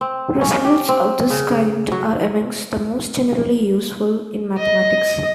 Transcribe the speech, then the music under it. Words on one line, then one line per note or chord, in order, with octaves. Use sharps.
Results of this kind are amongst the most generally useful in mathematics.
C4
C#4
G4
C4
C#3
F#3
D#5